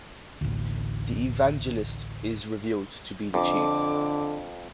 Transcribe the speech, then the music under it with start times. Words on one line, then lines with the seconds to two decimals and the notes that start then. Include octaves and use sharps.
The evangelist is revealed to be the chief.
0.41 A1 D2
3.34 F2 D3 D6